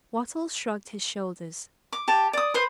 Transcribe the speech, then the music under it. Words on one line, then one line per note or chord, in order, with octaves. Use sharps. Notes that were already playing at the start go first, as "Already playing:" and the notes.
Wattles shrugged his shoulders.
D6
G4 A5
D5 D#6
B4 C5